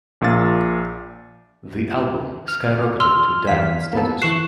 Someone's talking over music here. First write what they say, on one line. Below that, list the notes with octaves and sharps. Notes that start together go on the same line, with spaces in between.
The album skyrocketed to Diamond status.
A#1 A#2 F5 A6
F6
C6 E6 F6
E2 F5 B6
A#3 B3 A4
E3 C#6 F#6 C7 E7